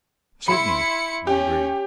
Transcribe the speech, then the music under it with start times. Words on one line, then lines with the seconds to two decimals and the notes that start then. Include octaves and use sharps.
"Certainly!" I agreed.
0.48 E4 B5 C6 C#7
1.27 C#4 G4